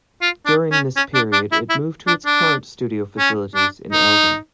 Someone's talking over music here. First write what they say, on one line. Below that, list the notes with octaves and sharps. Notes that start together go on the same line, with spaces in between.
During this period, it moved to its current studio facilities in Elgin.
F4
D4
C#4
C#4
D4
D4
E4
E4
D4
D4
C#4
D4
D#4